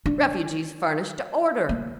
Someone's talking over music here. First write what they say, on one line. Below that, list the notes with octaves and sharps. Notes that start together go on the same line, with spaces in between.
Refuges furnished to order.
D4
A#3